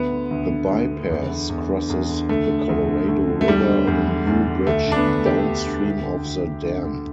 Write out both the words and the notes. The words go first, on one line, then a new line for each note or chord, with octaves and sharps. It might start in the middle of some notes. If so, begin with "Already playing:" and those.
The bypass crosses the Colorado River on a new bridge downstream of the dam.
Already playing: D2 B3
D3
D2
D3
D2
D3
E2
D3
E2
D3
E2
D3
D2 A3
D3
D2
D3
D2
D3
A3
E2 G3
D3
E2
D3
E2
D3
D2 A3
D3
D4
B3
D2
D3 G4
D2
D3
D2
D3
D2
D3
D2
D3